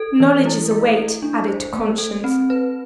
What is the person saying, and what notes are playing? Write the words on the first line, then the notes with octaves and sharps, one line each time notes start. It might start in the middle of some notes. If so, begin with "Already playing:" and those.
"Knowledge is a weight added to conscience."
Already playing: A4
E3
E4
A3
A4
D4
C5
A3
A4
C4
B4